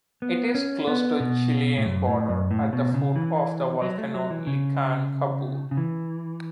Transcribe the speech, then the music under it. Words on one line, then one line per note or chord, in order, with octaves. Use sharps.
It is close to the Chilean border, at the foot of the volcano Licancabur.
B3
C#4
B3
B2
A2
F#2
A2
F#2
A2
B2
C#3
E3
F#3
A3
F#3
E3
C#3
C#3
E3